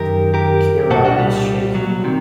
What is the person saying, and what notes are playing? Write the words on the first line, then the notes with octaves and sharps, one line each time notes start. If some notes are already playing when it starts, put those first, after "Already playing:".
Kira is shaken.
Already playing: F#2 D#3 G4 A#4
G4 A#4
C2 A#2 F#4 A4
D4 F#4
G3
F#3
C3 D#3